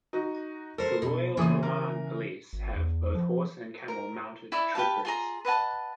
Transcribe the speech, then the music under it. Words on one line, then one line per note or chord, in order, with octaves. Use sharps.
The Royal Oman Police have both horse and camel mounted troopers.
D#4 F#4
A4 A#4 C5
B2
A#2 C#3 E3 G#4 D#6
A#4
G#1
E2
F3
A#4
E4 D5 E5
G4 B4 F5 A5
F4 G#4 A#5
B4 D#5 F#5 A5